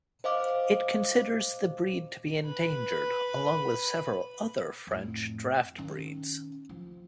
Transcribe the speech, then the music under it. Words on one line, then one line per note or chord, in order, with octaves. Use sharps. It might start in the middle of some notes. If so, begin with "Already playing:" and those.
It considers the breed to be endangered, along with several other French draft breeds.
C5 D#5 F5 D6
B4 B5
F2 A2
D#3 C#4
F3